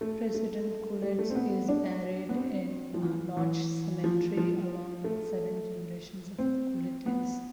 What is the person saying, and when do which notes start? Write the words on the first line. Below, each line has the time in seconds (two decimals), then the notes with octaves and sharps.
President Coolidge is buried in Notch Cemetery, along with seven generations of Coolidges.
0.01 A3
0.35 A3
1.02 G3
1.19 A3
1.30 C4
1.35 B3
1.69 D4
2.29 B3
2.36 C4
2.94 F3
3.03 E3
3.37 E3
4.04 F3
4.37 F3
5.04 A3
6.39 C4
7.06 B3